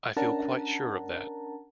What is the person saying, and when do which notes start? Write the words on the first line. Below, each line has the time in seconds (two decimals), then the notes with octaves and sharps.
I feel quite sure of that.
0.16 C#4 D4 A#4 F#5 A5 A#5